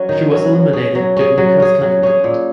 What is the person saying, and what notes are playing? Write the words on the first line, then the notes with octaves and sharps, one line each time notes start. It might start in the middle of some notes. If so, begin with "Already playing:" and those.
She was eliminated during the cross country event.
Already playing: F#3 C#4
D#3
F#3 C#4
F#3
C#4 G#4
F#3
C#4 G#4
F#3
C#4 G#4
F#3
C#4 G#4
A#2